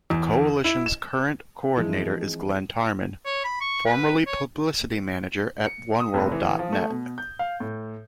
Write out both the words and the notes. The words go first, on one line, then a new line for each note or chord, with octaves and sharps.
The coalition's current coordinator is Glen Tarman, formerly publicity manager at OneWorld dot net.
E2
E4
E7
E3 F3 G#3 C4 E4
C#5
B5
C#6
B4
C#5
C#7
D#6
F1
E3
F3
A3
B2
G6
F5
A2